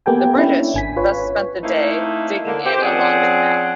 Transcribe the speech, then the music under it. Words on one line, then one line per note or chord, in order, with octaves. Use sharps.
The British thus spent the day digging in along the canal.
A#3 B3 G4 A4 G5 G#5
C#4 D4 E4
G#1 G#5 B6
F4 B4 C#5
A3 A#3 C4 D#4 E4
D3 A#3
C4 G4 C5
F3 C4 C#4 G#4 D5 F#5